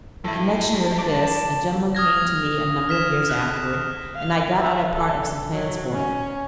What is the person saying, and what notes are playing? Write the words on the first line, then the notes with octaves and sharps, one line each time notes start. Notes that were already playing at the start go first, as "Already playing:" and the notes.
In connection with this a gentleman came to me a number of years afterward, and I got out a part of some plans for him.
G2 E4 A4
A5 D6
D#6 F6 G#6 A#6
F6 B6 E7
F#6
F5
E5
A4
F#3
C#4